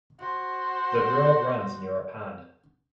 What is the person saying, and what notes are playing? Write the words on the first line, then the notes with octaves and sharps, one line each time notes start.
The girl runs near a pond.
F#4 C5